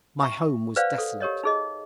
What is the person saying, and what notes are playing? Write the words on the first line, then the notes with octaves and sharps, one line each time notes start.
My home was desolate.
E5 C#6
B4 C5 D5 F5 F#5
A4
G4 A#4 C#5 D#5
D#4 G#4 D#5